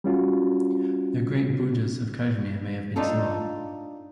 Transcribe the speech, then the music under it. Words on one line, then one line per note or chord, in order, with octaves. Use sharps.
The great Buddhas of Kashmir may have been similar.
G3 C#4 F4 F#4
D4 D#4 F4 A4